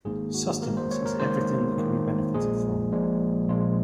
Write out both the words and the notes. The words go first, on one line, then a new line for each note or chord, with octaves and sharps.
Sustenance is everything that can be benefited from.
G#1 G#2 D#3 A#3 G#4
F#4
G#1 G#2 D#3 A#3 A#4
C5
C#5
A#4
G#1 G#2 D#3 A#3 C5
G#1 G#2 D#3 A#3
A#1 A#2 F3 G#3 G#4
A#1 A#2 F3 G#3
A#1 A#2 F3 G#3 F4